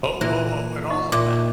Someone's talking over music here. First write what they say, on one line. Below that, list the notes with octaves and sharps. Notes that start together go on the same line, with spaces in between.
"Ho! Ho! Ho!" and all of that,
A#2 E3 A#4
D#4 D#5 C#6
A#2 E5 D6